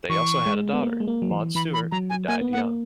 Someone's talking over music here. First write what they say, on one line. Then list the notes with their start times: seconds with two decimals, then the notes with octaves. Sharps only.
They also had a daughter, Maud Stewart, who died young.
0.10 E3 C#6
0.46 G#3
0.73 B3
0.83 A#3
1.00 G#3
1.08 A#3
1.22 F#3
1.31 E3
1.55 E3 B5
1.74 B5
1.92 F#3 A#5
2.10 G#5
2.28 A#3 G#5
2.41 B3
2.53 A#3 F#5